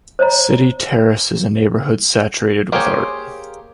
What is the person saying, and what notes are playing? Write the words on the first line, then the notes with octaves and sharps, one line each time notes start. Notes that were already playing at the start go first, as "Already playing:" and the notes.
City Terrace is a neighborhood saturated with art.
C5 C#5 D#5 A#5 B5
A#3 G4 G#4 C5 C#5